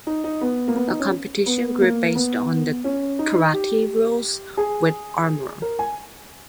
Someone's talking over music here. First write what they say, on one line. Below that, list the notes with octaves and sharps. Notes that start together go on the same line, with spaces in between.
A competition group based on the karate rules with armor.
D#4
D#4
B3
A#3
B3
D#4
C#4
B3
A#3
B3
C#4
D#4
G4
G#4
A#4
G#5